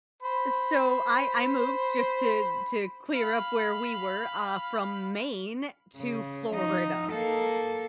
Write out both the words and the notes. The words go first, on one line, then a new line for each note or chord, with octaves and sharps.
So I I moved just to to clear up where we were, uh, from Maine to Florida.
C5 B5
F5 B5
C#3
F3 D#4
A#3 A4